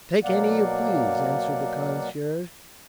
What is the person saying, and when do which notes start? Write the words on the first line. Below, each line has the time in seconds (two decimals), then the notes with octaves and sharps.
"Take any you please," answered the concierge.
0.24 B2 F#3 A#3 D5 F5 F#5